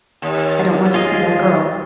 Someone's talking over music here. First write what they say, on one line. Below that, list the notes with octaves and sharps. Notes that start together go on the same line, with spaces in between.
I don't want to see that girl.
D#2
F4 G#4 D#5